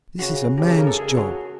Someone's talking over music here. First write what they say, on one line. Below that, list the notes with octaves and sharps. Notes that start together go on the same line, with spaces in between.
This is a man's job.
C#3 F#4
C#3 G4
A4
A#4
A4
C#3 G#4
F#4